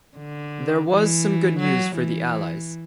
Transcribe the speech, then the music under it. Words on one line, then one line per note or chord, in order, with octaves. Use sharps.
There was some good news for the Allies.
D3
E3
F#3
E3